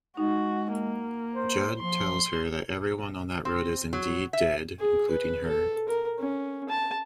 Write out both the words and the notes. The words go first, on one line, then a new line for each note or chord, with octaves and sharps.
Jud tells her that everyone on that road is indeed dead-including her.
G#3 D#4 F#4
A#3
C5
F3 C6
C4
F#3
E5
G#4
B4
A4
A#4
C#4
A5